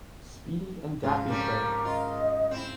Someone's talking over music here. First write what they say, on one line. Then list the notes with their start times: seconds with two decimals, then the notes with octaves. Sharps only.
Speedy and Daffy Show.
1.03 G#2 C#3 F4
1.29 F2 G3 C#4 A#4
1.85 F4 D#5
2.51 C4 E4